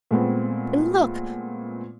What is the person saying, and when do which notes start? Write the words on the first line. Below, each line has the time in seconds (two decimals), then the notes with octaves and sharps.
And look!
0.11 A#2 G#3 A3 B3 C4